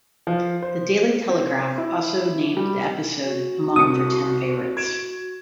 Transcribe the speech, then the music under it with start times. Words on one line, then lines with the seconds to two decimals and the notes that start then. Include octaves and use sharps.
"The Daily Telegraph" also named the episode among their ten favorites.
0.27 F3
0.62 C5
1.28 C4
1.78 E4
2.57 G3
3.23 F#4
3.76 C2 D#6 C#7
4.77 G#6 D7 E7